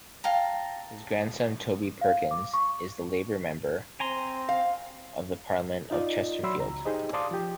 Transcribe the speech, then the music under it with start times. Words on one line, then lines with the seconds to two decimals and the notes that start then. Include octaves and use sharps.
His grandson Toby Perkins is the Labour Member of Parliament for Chesterfield.
0.24 F5 G5 A5 A#5
2.01 F5
2.31 D6
2.54 C#6
4.00 C4 G#5 A#5 C6
4.49 F5
5.91 D#4 F4 D5 D#5
6.43 F#3 D5 E5 B5 C6 E6
6.58 C#2 A#5
6.86 D#4 G4 G#4 C5 D#5
7.13 D5 F5 A5 C6 D6 D#6
7.31 F3 G4